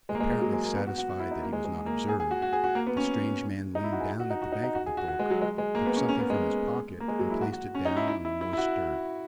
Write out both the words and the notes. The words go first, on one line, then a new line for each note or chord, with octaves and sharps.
Apparently satisfied that he was not observed, the strange man leaned down at the bank of the brook, took something from his pocket and placed it down on the moist dirt.
G#3
A#3
G#3
G#3
F#3
G#3
A#3
B3
F#4
F#4
F#4
E4
D#4
A#3
G#3
G#3
A#3
G#4
G#4
F#4
F#4
G#4
F#4
A#3
B3
C#4
D#4
E4
F#4
G#4
F#4
D#4
F#4
D#4
D#4
F#4
G#4
F#4
F#4
G#3
F#3
G#3
G#3
A#3
B3
C#4
C#4
A#3
B3
G#3
A#3
G#3
F#3
E4
F#4
F#4
C#4
D#4
E4
E4
E4
E4
E4
F#4